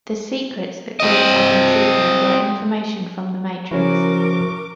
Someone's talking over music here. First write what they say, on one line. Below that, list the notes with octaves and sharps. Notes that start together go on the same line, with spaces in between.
The "secrets" that Glitz had been seeking were information from the Matrix.
C4 D#5
C#3 F3 C#4 E4 F#4 A#4 D6